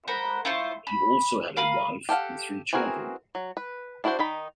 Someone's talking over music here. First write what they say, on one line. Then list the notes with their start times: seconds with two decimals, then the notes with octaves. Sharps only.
He also had a wife and three children.
0.08 A#4 C5 F#5 B5
0.45 E4 F4 C5 C#6
0.87 B5
1.57 A#4 F5 B5 D#6
2.09 G4 A4 F5 F#5
2.73 E3 C4 F#4 G#4 A#4
3.35 F#3
3.57 B4
4.04 D4 E4 F#4 G#4 C5
4.19 D#3 D#4 B5